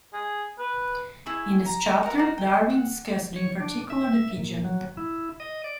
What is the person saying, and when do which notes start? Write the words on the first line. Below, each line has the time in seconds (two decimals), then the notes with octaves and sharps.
In this chapter, Darwin discussed in particular the pigeon.
0.13 G#4
0.59 B4
1.26 E4 G#4 C#6
1.66 A#5
2.03 A#4 F#5
2.18 F#4 A#4
2.38 G5
2.70 F#5
3.36 C#5
3.60 D4
3.90 E5
4.37 A#2
4.65 F#3
4.97 E4
5.40 D#5
5.64 D5